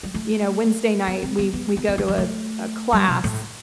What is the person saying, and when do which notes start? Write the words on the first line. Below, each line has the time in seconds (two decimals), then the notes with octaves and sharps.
you know, Wednesday night- we we go to a a class
0.03 G3
0.14 A3
1.07 B3
1.23 C4
1.39 B3
1.53 B3
1.77 B3
1.88 B3
1.98 A3
2.08 G3
2.18 A3
2.93 G3
3.08 B2
3.24 A2